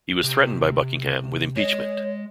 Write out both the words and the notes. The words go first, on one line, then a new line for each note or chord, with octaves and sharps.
He was threatened by Buckingham with impeachment.
C3 G4
G#3 C#5 D#5